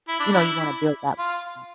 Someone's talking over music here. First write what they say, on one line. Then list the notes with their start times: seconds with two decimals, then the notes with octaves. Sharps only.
you know, you wanna build that bond.
0.08 E4
0.20 D4
0.33 E4
1.18 F4